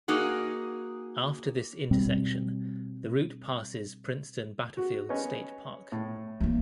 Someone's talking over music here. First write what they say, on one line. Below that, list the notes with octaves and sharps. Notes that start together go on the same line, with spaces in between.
After this intersection, the route passes Princeton Battlefield State Park.
A#3 D#4 F#4 G#4
B2 G3 C4
F#4
C#4 B4 D#5
A2
A3 A#3